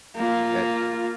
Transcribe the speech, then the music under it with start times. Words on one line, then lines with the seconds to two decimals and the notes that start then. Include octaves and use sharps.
and, eh
0.16 A#3 F4